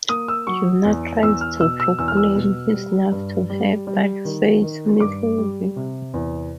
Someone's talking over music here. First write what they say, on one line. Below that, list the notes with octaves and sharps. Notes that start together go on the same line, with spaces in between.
Junior tries to proclaim his love to her, but fails miserably.
A#3 D#6
E6
F#3 C#6
E2
E2 E6
F6
B2 E6
E6
E2 E6
F6
E6
B2
G3
G2
G3
G3
D#3
D#3
G2 D6
G3
C3
E2